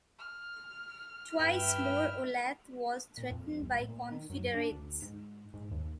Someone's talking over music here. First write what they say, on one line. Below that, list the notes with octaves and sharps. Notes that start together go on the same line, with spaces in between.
Twice more Olathe was threatened by Confederates.
F6
G2 B4 E5 G5 F6
A#2
F2
C2
A2
A#2
D#3
F#2
D4
D2
G#2
G#2
D#2